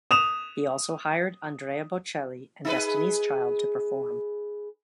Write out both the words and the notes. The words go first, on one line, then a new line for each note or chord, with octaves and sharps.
He also hired Andrea Bocelli and Destiny's Child to perform.
D#6 E7 F7
D#4 G#4 B4